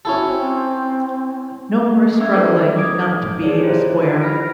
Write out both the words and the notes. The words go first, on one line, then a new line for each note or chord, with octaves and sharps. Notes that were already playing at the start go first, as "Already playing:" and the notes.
No more struggling not to be a square.
C#4 E4 F#4 A4
C4
C#4 E5 C#6 E6 G#6
D#4 A4 B4 C5 D5
D6 D#6 G#6 D7
D#4 G#4 C#5 D5
E4 F4 G4 C5
B5 F6 A#6 B6 D7